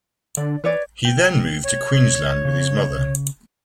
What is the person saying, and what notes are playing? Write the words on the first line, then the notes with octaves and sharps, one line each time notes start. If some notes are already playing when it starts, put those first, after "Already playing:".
He then moved to Queensland with his mother.
D3 D5
E3 B4 C#5 D5
G5
C#5
C#3